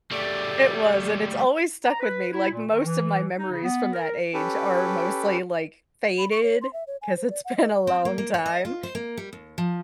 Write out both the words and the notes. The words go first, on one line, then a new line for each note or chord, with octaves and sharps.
It was and it's always stuck with me, like most of my memories from that age are mostly like faded, 'cause it's been a long time.
G3 A3 D5
A#5
B4
E4
A#2
D#3
E3
D#4
C#3
B3
A#4
C#4 G4 A4 B4
B5
C#6
C#5
C6
E5
C#5
G#5
C5
D5
F#5
D#5
C4
A#3
A#3
C#5
D#5
F4
C5
A#3
G3
D#2
F3